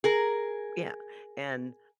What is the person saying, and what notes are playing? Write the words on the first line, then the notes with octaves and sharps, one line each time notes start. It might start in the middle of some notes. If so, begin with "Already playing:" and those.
Yeah, and,
G#4 A#4